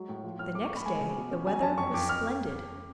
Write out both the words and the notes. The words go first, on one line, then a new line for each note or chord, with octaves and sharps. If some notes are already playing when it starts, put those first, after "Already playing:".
The next day the weather was splendid.
Already playing: F#3 G#3
A2
F3
A2 F6
A3 D6
C#6
A3
B5
G#3 G#5
C#3
B2
C#4
F#3 G#5
F#2 A5
F2 C#6
F2 D6
F6